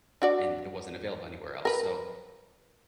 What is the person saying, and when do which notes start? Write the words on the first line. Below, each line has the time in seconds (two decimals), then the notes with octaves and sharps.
and it wasn't available anywhere else. So,
0.22 D4 F#4 D5
1.65 A#4 B4